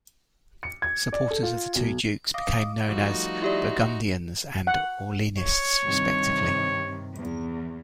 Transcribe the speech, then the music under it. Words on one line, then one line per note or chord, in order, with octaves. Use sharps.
Supporters of the two dukes became known as "Burgundians" and "Orleanists", respectively.
C#7
G#6
D5
A4
F4
B1
D#5 F5 D6
F3 G3 A3 D#4 F#4
E4 G4 D5 E5 C6
F#5
C#5
G2 C3 D#3
E2